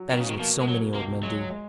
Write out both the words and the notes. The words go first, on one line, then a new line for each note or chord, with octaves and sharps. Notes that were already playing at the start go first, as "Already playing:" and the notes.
That is what so many old men do.
Already playing: F#3
B2 D#3
C#3
D#3
F3 A#3
G#3
B2 F#3
C#2 A#3
F#3 G#3
G#3